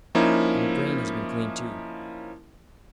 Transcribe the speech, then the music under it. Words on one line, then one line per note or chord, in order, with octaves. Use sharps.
And your brain has been cleaned, too....
F3 A#3 C#4 D#4 E4